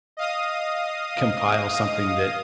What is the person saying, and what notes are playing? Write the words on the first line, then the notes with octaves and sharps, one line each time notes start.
compile something that,
D#5 F5 D#6